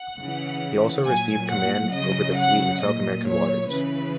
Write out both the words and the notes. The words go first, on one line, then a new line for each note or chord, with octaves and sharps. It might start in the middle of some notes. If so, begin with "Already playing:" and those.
He also received command over the fleet in South American waters.
Already playing: F#5
C#3 E3
A#2 F#3 G#5
F#5
C#3 F#3 D#5
F#5
A#2 F#3 D#5
C#5
C#3 E3 B4